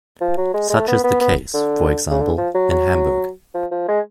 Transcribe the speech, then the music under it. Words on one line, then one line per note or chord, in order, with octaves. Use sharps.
Such is the case, for example, in Hamburg.
F3
F#3
G#3
G#3
A3
B3
B3
B3
D3
C#3
D3
F3
F#3
F#3
F3
F3
G#3